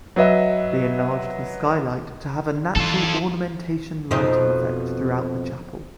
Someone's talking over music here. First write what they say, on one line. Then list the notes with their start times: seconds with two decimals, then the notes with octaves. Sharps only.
They enlarged the skylight to have a natural ornamentation lighting effect throughout the chapel.
0.16 F#3 B4 D#5 E5
2.76 E3 F4 A4
4.11 F2 B2 D#4